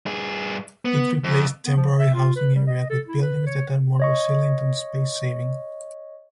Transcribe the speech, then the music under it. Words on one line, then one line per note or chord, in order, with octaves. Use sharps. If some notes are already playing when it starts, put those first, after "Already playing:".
It replaced Temporary Housing Area with buildings that are more resilient and space saving.
G2 G#4
B3
F2
B3
F3
E5
F4
B4
G3
D#5
A4
E4
B4
C#5
C#5 D#5 C#6